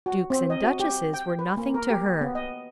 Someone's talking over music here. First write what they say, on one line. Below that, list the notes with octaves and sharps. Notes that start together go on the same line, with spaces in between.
Dukes and duchesses were nothing to her.
F#4
C4
D#5
F#4
G4
G5
B4
A#3
A#4
G4
B3
D#5